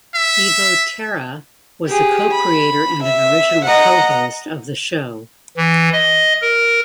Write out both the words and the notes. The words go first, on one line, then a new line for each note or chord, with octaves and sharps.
Evo Terra was a co-creator and an original co-host of the show.
E5
G4 G#4
B5
E5
D#5 F#5 A#5
E3
D#5
A#4